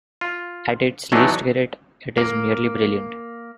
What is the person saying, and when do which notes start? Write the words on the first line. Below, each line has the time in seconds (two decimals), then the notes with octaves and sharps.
At its least great, it is merely brilliant...
0.21 F4
1.12 E3 F#3 A3 B3 D4 D#4
2.18 A#3